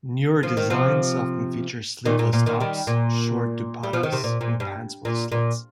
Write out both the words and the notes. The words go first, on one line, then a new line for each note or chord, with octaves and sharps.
Newer designs often feature sleeveless tops, short dupattas, and pants with slits.
F3
D#3
C3 F3
A#2 D#3
A#2
A#2
A#2 D#3
D#3 G3
A#2
G3
F3
D#3
C3
A#2
A#2
G2
A#2
A#2